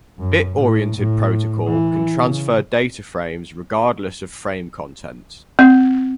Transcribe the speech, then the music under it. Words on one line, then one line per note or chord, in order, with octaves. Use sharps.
Bit oriented protocol can transfer data frames regardless of frame contents.
F#2
A2
A2
E3
C#3
C4